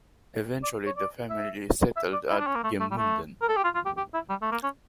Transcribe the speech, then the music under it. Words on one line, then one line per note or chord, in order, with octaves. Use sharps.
Eventually the family settled at Gmunden.
D5
C#5
D5
E5
E5
D5
E4
D4
C#4
A#3
A3
A3
G3
A3
A#4
A4
G4
F4
F4
G4
G4
E4
G3
A3
A#3
C#4